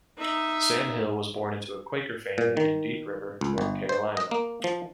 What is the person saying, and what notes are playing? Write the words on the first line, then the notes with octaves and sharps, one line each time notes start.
Sam Hill was born into a Quaker family in Deep River, North Carolina.
D#4 E5
A#2
D#3
C#2
G1
C5
D#5
A#3
F3